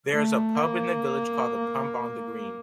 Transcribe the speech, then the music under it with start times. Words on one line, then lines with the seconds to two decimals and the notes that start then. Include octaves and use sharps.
There is a pub in the village called the "Pump on the Green".
0.09 A3
0.56 A#3